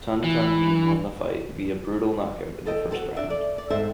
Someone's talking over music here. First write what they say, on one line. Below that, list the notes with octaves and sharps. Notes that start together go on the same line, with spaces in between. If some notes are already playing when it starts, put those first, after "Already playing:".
Tun Tun Min won the fight via brutal knockout in the first round.
E3
D#2 A4 D#5 G5
F#4 G#4 A4 C5
C3 D4 E5
A4 D5
D5
G#2 A4 C5 E5 G5